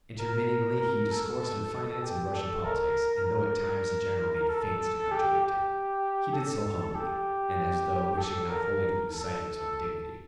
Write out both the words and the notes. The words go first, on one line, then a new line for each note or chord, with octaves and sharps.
Interminably he discoursed on finance and Russian politics, and though, at times, the General made feints to contradict him, he did so humbly, and as though wishing not wholly to lose sight of his own dignity.
A#4
A#4
A4
G4
A4
A#4
A#4
A4
G4
G4
A4
G4
A4
A#4
A4